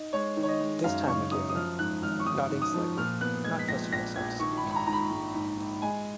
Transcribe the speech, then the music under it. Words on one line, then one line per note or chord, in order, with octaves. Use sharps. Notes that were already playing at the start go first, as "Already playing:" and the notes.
This time I give in, nodding slightly, not trusting myself to speak.
Already playing: D#4
G#3 C#5
D#3
C#5
D#5
G#3
F#2 F5
F#1 C#6
F#2 D#6
D#6
F3 F6
G#2 F#6
G#1 F6
C#6
G#2 D#6
G#2
D#6
F3
A#2 F6
B3 F#6
G#3 G#6
B6
A#1 A#6
A#1 A#6
A#1 G#6
D#3 C#6
B5
G#2
B5
A#5
G#2 A#5
B5
G#2
G#2
G#2
G#3 G#5